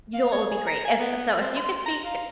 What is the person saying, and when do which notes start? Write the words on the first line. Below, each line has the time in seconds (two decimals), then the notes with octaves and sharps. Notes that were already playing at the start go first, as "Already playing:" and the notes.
you know what would be great? If so if you could speak
0.14 F5
0.32 C#5
0.50 G#4
0.67 A#5
0.85 G#5
0.99 B3
1.40 C4
1.57 C6
1.86 A#5
2.04 F5